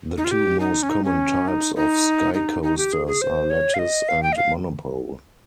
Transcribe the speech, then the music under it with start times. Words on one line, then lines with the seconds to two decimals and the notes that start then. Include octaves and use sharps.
The two most common types of Skycoasters are lattice and monopole.
0.17 D#4
0.24 F4
0.31 G4
0.60 D#4
0.83 C#4
0.89 D#4
1.04 C#4
1.48 D#4
1.76 D#4
2.34 D#4
2.63 D#4
2.78 G4
2.93 G#4
3.07 G#4
3.22 C5
3.50 C#5
3.74 F5
3.79 D#5
4.09 F5
4.23 G5
4.32 D#5
4.37 F5